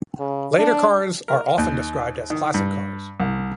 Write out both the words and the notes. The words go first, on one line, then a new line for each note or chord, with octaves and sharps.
Later cars are often described as classic cars.
C#3
D4
A#4
D#2
D#3
G2
C2